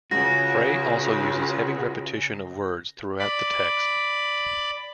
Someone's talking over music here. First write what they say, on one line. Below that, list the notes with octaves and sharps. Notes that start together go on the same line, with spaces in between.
Frey also uses heavy repetition of words throughout the text.
C#2 C#3 F#4 A#6
D5 B5